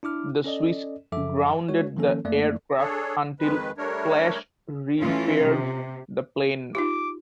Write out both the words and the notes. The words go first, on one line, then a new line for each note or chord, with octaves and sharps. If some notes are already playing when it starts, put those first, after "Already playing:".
The Swiss grounded the aircraft until Flash repaired the plane.
D4 E4 D6 F6
C#4 A4 D5 D#5
F#2 F3 A4 E5 D6
G#3 F#4 C#5
D#3 F3 A#3 C#4 A4
F#2 A3 A#3 D5
D4 G#4 A4 C#5
F2 D#3 G#3 B4
G3 A3 D4 A#4 C#5
E3 A3 C#4 F4
C3
D#4 F4 G4 D6